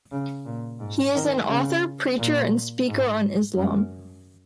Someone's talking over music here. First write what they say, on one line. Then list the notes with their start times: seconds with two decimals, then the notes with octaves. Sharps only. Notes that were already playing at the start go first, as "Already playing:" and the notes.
He is an author, preacher and speaker on Islam.
0.12 C#3
0.45 A#2
0.79 G#2
1.15 D#3
1.49 C#3
2.18 A#2
2.87 G#2
3.55 F#2